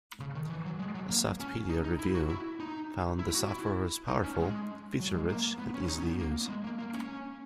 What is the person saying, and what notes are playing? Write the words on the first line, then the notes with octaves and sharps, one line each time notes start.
A Softpedia review found the software was powerful, feature rich and easy to use.
C#3
D#3
E3
F#3
G#3
F#3
A#3
C#4
D#4
D#4
E4
F#4
E4
D#4
E4
F#4
E4
D#4
C#4
G#3
F#3
G#3
A#3
B3
C#4
D#4
C#4
B3
A#3
G#3
A#3
A#3
C#4